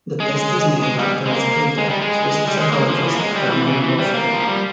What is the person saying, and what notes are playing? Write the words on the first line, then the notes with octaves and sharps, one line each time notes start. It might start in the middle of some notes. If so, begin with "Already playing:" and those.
The test is named after its creator, Swiss psychologist Hermann Rorschach.
G#3
G#3
G3
G#3
A#3
G#3
G3
G#3
G3
G#3
A#3
F3
E3
A#3
G#3
G3
E3
C#3
E3
G3
A#3
F3
G3